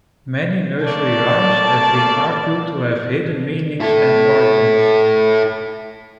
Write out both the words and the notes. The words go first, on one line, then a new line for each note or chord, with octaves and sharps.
Many nursery rhymes have been argued to have hidden meanings and origins.
A3 A#3 D5 A5
E4 A4